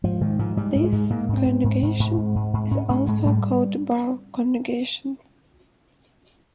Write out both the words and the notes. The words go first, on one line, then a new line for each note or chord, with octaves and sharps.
This conjugation is also called bar conjugation.
G#2 F3
G#2 D#3
G#2 F3
G#2 G3
G#2
G#3
G#2
G#2 A#3
G#2
C#4
C4
G#2
G#2
G#2
G#2
G#2
G#2
G#2
G#2 C#4
G#2 C#4
G#2 G#3
G#2 G3